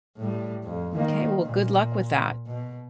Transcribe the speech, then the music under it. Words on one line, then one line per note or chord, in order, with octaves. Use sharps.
M'kay. Well, good luck with that.
A2 G3
F2
D#3 A#3
A#2
B2